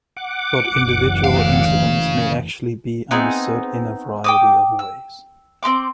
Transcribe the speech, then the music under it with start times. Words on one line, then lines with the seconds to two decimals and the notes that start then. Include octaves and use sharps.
But individual incidents may actually be understood in a variety of ways.
0.17 F#5 D6
0.69 F#1 D2 E3
1.24 C#3 F5
3.11 B3 C4 D#4 G#4
4.24 G5 D6 D#6
4.79 E6
5.63 C4 G4 C6 D6